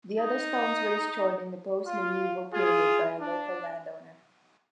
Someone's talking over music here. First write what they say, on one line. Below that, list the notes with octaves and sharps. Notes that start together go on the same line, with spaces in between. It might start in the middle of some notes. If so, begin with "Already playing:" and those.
The other stones were destroyed in the post-medieval period by a local landowner.
D#4
F4
F4 G#4
D4